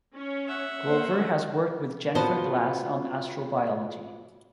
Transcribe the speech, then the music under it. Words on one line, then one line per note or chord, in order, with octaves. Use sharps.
Grover has worked with Jennifer Glass on astrobiology.
C#4
E5 F#5
A#3 C#4 C5
B3 F4 F#4 C5 D#5 A5